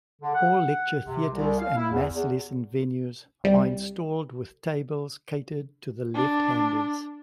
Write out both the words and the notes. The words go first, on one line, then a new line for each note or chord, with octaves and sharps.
All lecture theatres and mass lesson venues are installed with tables catered to left-handers.
D3
F#5
C3
C2
F5
E4
E2
E2
C2 G3
D4